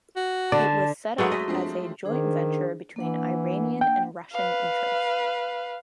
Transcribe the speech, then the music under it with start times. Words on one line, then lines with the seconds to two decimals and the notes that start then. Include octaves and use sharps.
It was set up as a joint venture between Iranian and Russian interests.
0.16 F#4
0.52 D3 D5 A5
1.18 F#3 G#3 A3 B4 F#5 D#6
1.32 A4 D#5 B6
1.48 F3 C4 D4
2.05 D#3 D4 G#4 C5
2.96 E3 A#3 D4 F#5
3.81 G5
4.33 B4 F5